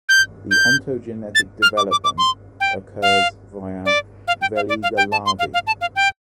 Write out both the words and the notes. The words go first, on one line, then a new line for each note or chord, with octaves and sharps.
The ontogenetic development occurs via Veliger larvae.
G6
G6
A6
F6
D6
D6
D6
C6
G5
F5
D5
F5
G5
F5
D5
F5
G5
A5
C6
F5
F5
A5
F5
G5